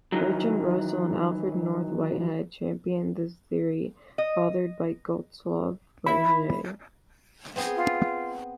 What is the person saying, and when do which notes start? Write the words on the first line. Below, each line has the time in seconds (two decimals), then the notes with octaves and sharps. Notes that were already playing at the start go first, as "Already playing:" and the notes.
Bertrand Russell and Alfred North Whitehead championed this theory fathered by Gottlob Frege.
0.12 D#3 E3 F#3
4.18 D#5
6.06 E4 E5 B5
7.56 B3 C4 G#4
7.76 F4